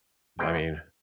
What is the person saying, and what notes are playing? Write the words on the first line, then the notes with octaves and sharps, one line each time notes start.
I mean,
E2 C3 E3 G#3 G5